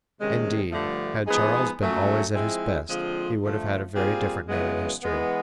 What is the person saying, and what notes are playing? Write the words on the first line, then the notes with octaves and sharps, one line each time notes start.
Indeed, had Charles been always at his best he would have had a very different name in history.
C3 D#3 G#3 C#4
G2 D3 F3 A3
F3 G#3 B3 D#4 G#4
A#2 F#3 A3 C#4
F3 G#3 C4 E4 G#4
D3 F3 G#3 C4 F4
D3 F3 A3
A#2 G3 C4 F4 G#4
F#2 C#3 E3 G#3 B3
E3 G#3 B3